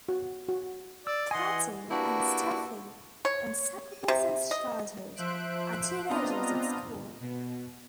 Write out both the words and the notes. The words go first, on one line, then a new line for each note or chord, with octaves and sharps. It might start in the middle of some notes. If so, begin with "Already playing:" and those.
Kati and Steffi, inseparable since childhood, are teenagers at school.
F#4
F#4
D5 E6
E3 D#5 F#5 G#5 C6
A#3 D4 E4 F#4 G4 B4
C#5
C3
D#5
F3 C5 E5 F#6 D7
B3 C4 D4 F4 D#5 A#5
B2